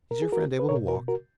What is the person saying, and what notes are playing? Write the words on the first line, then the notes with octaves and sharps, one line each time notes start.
"Is your friend able to walk?"
A#4
G#4
F#4 A#4
B4
B2 A#4 C#5
F#4 A#4
F#4 A#4